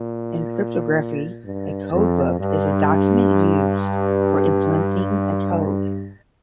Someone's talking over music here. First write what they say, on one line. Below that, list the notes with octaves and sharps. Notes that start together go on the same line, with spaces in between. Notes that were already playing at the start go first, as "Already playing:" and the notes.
In cryptography, a codebook is a document used for implementing a code.
Already playing: A#2
G2
F2
G2